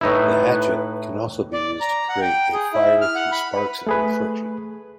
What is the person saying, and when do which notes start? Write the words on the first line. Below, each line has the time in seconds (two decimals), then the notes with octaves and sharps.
The hatchet can also be used to create a fire through sparks and friction.
0.01 A2 D#4 E4 B4
1.53 D5
1.81 A#5
2.09 F#5
2.22 G5
2.53 G#4
2.74 E4
3.01 F6
3.15 F#5
3.32 B5
3.56 B4
3.87 A3 G#4 B4